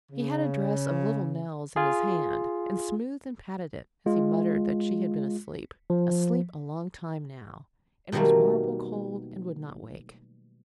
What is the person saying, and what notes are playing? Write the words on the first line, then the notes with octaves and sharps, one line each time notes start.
He had a dress of little Nell's in his hand and smoothed and patted it as he muttered that she had been asleep--asleep a long time now, and was marble cold and would not wake.
C#3
F4 G#4
G#3 F4
F3
B2 D#3 F#3 G3 A3 A#3